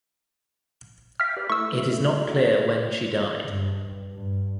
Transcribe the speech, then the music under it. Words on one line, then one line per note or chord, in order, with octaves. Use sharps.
It is not clear when she died.
E5 F5 G5 F6 B6
G4 B4 D5
A3 E4 C#6 E6
F#4 A4
G2
G2